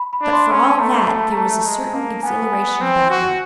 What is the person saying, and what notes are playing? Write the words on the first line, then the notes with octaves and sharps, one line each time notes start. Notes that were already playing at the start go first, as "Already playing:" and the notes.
But, for all that, there was a certain exhilaration about her.
Already playing: B5
B5
D4
C6
C#4 C6
A5
A3 A#5
A5
A#5
A5
G#3
A#3
B3 G#5
G#5
C4
F#4